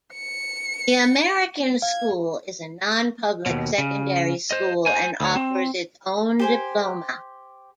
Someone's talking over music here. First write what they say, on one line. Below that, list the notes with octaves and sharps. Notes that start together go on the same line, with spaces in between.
The American School is a non-public secondary school and offers its own diploma.
C#7
F5 G#6
D#2 B2
C#3
C5 D#5
C5 G#5
D2 C#5
C4
G4 C5 G#5